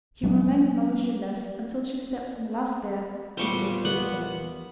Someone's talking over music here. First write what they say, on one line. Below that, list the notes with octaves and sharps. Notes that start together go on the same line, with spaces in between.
He remained motionless until she stepped from the last stair and stood close to him.
F#3 G#3 A#3 C#4
E2 A#2 G3 C5 C#6 D6
B3 F#5